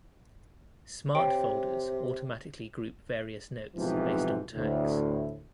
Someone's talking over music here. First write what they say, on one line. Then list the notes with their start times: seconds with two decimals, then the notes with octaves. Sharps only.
Smart Folders automatically group various notes based on tags.
1.15 C3 C#5 G5 D7
3.76 B1 G#2 C3 E3 F3
4.54 D2 A2